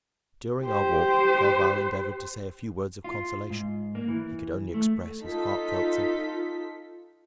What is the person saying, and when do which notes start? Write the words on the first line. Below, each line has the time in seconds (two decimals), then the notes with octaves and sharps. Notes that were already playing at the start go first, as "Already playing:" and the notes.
During our walk, Clerval endeavoured to say a few words of consolation; he could only express his heartfelt sympathy.
0.61 G4 C5
3.04 F4
3.50 G#2
3.95 A#3
4.08 E3
4.74 A3
5.22 D#4 F4 A4 B6